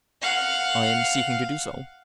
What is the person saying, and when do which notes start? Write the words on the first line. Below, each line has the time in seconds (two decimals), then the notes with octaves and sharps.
"I am seeking to do so."
0.22 F5 F#5